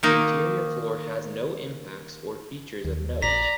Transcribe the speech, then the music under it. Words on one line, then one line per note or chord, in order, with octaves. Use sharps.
The interior floor has no impacts or features of note.
D#3 A#3 D#4
D#2
A#1 D5 A#5 B6